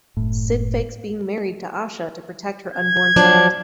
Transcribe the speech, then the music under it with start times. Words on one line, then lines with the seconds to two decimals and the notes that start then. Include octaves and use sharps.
Sid fakes being married to Asha to protect her unborn child.
0.17 F#1 A2
2.74 G#6
3.16 F3 F#3 D4